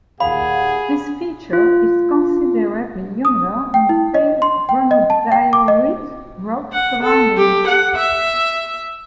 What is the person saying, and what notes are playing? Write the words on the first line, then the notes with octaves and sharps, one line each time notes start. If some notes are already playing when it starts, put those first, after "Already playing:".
This feature is considerably younger than the pale granodiorite rock surrounding it.
D#2 A#2 G#4 F5 F#5 B5
F4
D#6
G5
E4
D#5
C6
G5
D#5
A5
G5
D6
D#5
F#5
A4
G4
F#5
E5